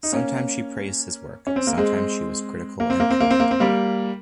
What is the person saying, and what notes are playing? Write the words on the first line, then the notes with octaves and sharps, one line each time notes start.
Sometimes she praised his work; sometimes she was critical and cold.
D#4
A#3 C#4
C#4
C4
A#3
G#3 C4
A#3
C4
A#3
C4
A#3
C4
A#3
C4
G3 A#3